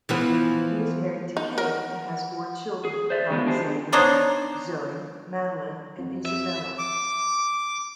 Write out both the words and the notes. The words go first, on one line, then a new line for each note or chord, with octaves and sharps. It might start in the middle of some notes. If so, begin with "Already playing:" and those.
He is married to Kate and has four children: Alexander, Zoe, Madeline and Isabella.
E3 F3 B3
D#4
A#4 F#5
G#4
C5 D5 E5
D3 D#3 G#3 A#3 B3
D4 G4 G#4 C5
B3 D4 D#4 C5 C#5
F2
E5
D6